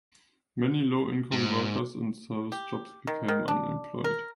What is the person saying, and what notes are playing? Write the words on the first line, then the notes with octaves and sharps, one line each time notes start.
Many low income workers in service jobs became unemployed.
G#2
G4
D#3
D#3
D4
A#4